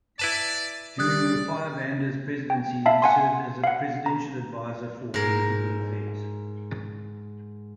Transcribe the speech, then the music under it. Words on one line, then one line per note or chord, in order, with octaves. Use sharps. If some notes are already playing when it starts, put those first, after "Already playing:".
During Rupiah Banda's presidency, he served as a Presidential Advisor for Political Affairs.
E4 B4 D5 A5
G3 D5 D#6 F#6
G5
E5 F5 A5
F#5 G#5 C6
F5 F#5
A#5
G#2 A#4